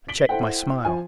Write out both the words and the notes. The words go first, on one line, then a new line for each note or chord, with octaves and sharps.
I checked my smile.
B6 D7 F#7 G7
E4 A4 C5 F#5 G5
F3 G#5